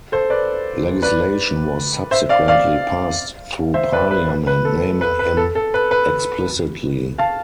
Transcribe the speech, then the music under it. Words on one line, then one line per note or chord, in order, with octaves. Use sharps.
Legislation was subsequently passed through parliament naming him explicitly.
A4 C5
B4 D5
B4 D5
C5 E5
D5 F5
D5 F5
C5 E5
B4 D5
B4
B4
B4
A4
B4
B4
A4
A4
B4
B4
F5 A5